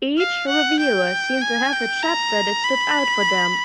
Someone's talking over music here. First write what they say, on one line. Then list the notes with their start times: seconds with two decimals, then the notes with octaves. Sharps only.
Each reviewer seemed to have a chapter that stood out for them.
0.18 F5
0.48 F#5
0.79 G5
1.41 G#5
1.72 G5
2.03 A#5
2.64 B5